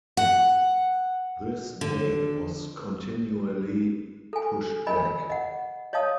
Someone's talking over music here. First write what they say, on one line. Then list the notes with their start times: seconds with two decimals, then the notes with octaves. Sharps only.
This date was continually pushed back.
0.17 F#5
1.81 D3
4.33 A4 G#5
4.87 A#4 D#5 G#5 B5
5.30 D#5 F#5
5.93 C#5 D#5 F5 A5 D#6